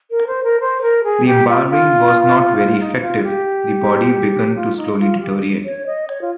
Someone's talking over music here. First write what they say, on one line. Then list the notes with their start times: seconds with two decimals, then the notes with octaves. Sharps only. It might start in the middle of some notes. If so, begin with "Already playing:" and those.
The embalming was not very effective; the body begun to slowly deteriorate.
0.10 A#4
0.26 C5
0.43 A#4
0.60 C5
0.81 A#4
1.03 G#4
1.25 G4
1.47 F4
1.69 F4
2.57 F4
2.79 D#4
3.01 F4
3.22 G4
4.55 F4
4.76 D#4
4.98 F4
5.20 G4
5.64 C#5
5.86 D#5
6.08 C#5
6.21 F4